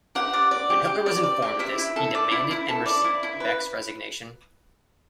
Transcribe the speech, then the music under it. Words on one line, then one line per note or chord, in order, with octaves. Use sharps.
When Hitler was informed of this, he demanded and received Beck's resignation.
G4 F#5
D5
D5
G4
G4
D5
D5
G4
E4 E5
E4
A4
D5
E4
E4
A4
D5
E4
E4
B4